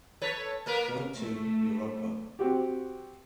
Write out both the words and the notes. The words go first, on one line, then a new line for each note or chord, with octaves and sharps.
Go to Europa.
A4 B4 C#5
A#3 A#4 B4
A3
C4 F#4 G4